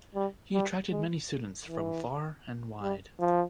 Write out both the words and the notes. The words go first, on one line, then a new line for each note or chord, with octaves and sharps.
He attracted many students from far and wide.
G3
G3
G#3
E3
G3
F3